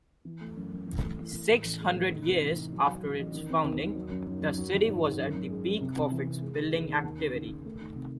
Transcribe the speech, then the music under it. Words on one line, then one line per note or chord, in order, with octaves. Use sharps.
Six hundred years after its founding, the city was at the peak of its building activity.
E3
A3
F#2
F#2
E3
A3
E3
E3
A2
A1
G#3
A2
D#4
C3
E3
D#4
F#3
F#3
A1
A1
D#3
C4
D#2
D#2
F#3
F#2
F#2
F#2
F#3
G#1
G#2
G#1
F#2
F#2
G#3
F#2
C3
C3
E3
C3
G#3
G#3
D#2
D#2
D#2
C#3
D#2
C#3
A3
D#3
C3